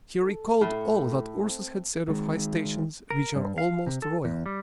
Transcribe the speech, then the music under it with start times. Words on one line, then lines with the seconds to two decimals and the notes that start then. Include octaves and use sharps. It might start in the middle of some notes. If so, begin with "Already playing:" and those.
He recalled all that Ursus had said of high stations which are almost royal.
0.22 A4
0.61 A2
1.40 C4
2.08 D#3 G#3
3.10 A#4
3.36 G2
3.58 F5
3.87 C3
4.02 A4
4.25 E2
4.46 G3